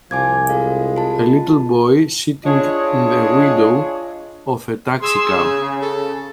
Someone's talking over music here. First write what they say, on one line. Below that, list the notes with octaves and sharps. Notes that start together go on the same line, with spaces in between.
A little boy sitting in the window of a taxi cab.
C2 F3 G#5 D6 G#6
G#3 F4 A4 F5
F4 A5
D4 F4 G#4 C#5 D#5
G#4 C6 E6
C#3
A4